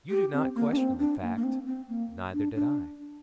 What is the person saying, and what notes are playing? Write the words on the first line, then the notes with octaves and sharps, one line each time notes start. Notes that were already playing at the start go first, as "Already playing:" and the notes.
You do not question the fact; neither did I.
G4
C4
A#3
D4
C4
D4
A#3
A#3
C4
C4
A#3
D4
D4